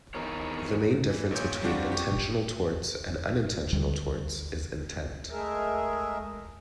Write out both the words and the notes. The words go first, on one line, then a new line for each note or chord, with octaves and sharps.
The main difference between intentional torts and unintentional torts is intent.
D#3 E3 B3 A#4 C#5
E3
A1 A#2 C#5 G6
F#3 G3 C4 D4 F4 F#4
G4 C#6
D2 D3 G3
G#3 A3 G#4 A#4 E5